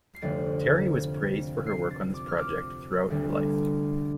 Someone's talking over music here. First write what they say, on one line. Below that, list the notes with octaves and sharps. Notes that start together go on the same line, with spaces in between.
Terry was praised for her work on this project throughout her life.
C7
F1 F2 D3 A3 A6
C7
A6
D6
F6
D6
D2 D3 G3 D4